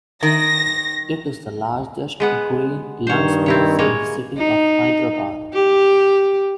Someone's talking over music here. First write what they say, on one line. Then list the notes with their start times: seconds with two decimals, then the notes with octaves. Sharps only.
It is the largest green lung space in the city of Hyderabad.
0.23 D#3 A#6
2.20 G#3 B3 F#5
3.07 G2 D#3 C5 C#5
3.46 C4 E4 C#5
3.79 G#3 A#3 C#5
4.38 D#4
5.54 G4